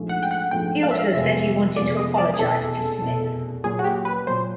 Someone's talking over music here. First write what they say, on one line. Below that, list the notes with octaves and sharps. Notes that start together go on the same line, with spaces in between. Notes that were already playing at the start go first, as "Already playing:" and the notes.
He also said he wanted to apologize to Smith.
Already playing: A#1 G#2 F3 A3
F#5
G5
F#5
A#1 G#2 F3 A3 G5
F5
E5
F5
F2 C3 F3 G#3 B3 E5
F2 C3 F3 G#3 B3 D5
D#5
D5
G#4
F1 E2 B2 A4
F1 E2 B2
A#2 F#3 A#3 G#4
F#4
G4
B4
A#2 F#3 A#3 C5